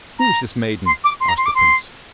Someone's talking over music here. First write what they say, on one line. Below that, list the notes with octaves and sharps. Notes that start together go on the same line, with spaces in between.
"Who is this maiden?" asked the prince.
A#5
C6
D6
C6
A#5
C6
D6
C6